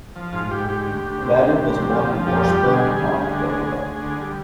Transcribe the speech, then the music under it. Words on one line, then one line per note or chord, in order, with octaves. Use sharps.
Wallin was born in Washburn, North Dakota.
F3
G#2 F4
G#2 G4
G#2 G4
D2
D2
C3
D2
D2
C3
F3
F3
F2 G4
G3
G4
D3
G#4
G3
G3 G#4
D2
D3
D2
D2
D2
D3
G3